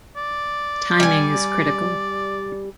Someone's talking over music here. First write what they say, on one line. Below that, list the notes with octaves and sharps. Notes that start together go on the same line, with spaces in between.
Timing is critical.
D5
G3 G#5